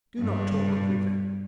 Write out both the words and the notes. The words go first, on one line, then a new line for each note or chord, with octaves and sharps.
Do not talk of revenge.
G2